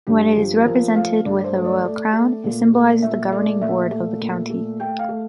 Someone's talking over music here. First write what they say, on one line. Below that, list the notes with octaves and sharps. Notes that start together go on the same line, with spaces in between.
When it is represented with a royal crown, it symbolizes the governing board of the county.
G2 G4
F3 G4
F3 A#4
A3 F5
G2 D5
C5
A3
D5
A3
A3
A#2
A3
A#2 E5
A3 D5
A#2 E5
A3
A#2
A3
A3 G5
F5
A3